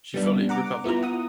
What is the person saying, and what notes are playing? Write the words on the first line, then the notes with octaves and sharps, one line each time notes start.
She fully recovered.
G3 B3 D4
F#5 A#5 D6
B3 E4 F4 A#5
F#5 D#6